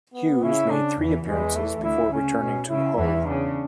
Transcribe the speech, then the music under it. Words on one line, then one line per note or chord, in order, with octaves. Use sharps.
Hughes made three appearances before returning to Hull.
B3
C#3 E4
D4
E2 E3
E2 E3 G#3
A3
D2 D3 E4
C#3 C#4
B2
C#3 E4
E2 E3 E4
C#3 D4